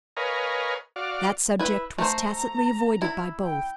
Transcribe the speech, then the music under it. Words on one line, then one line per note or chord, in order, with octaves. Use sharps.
That subject was tacitly avoided by both.
A#4 B4 C#5 D#5 F5 G#5
F#4 D5 F5
E4 B4
A3 C5 A#5
E4
G5